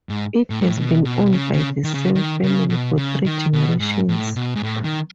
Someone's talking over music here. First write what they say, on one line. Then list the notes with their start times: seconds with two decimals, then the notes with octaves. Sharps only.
It has been owned by the same family for three generations.
0.09 G#2
0.50 A2
0.61 G#2
0.70 A2
0.78 B2
1.05 B2
1.26 B2
1.33 C#3
1.54 C#3
1.84 D#3
1.94 C#3
2.15 D#3
2.43 C#3
2.70 B2
2.97 C#3
3.26 D#3
3.53 B2
3.80 G#2
4.09 A2
4.36 B2
4.56 G#2
4.63 A2
4.84 D#3